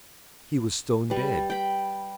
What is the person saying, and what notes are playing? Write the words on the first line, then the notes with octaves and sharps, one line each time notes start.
He was stone dead.
G3 B4
G5 B5